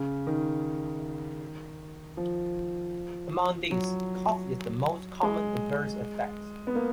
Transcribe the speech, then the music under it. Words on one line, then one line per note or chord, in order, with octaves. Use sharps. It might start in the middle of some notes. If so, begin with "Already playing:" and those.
Among these, cough is the most common adverse effect.
Already playing: C#3
D#3
F3
F#3
G#3
B3
A#3